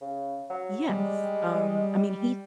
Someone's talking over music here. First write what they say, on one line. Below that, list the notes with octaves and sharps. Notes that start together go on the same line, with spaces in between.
Yes. Um, I mean, he
C#3
F#3
G3 G#3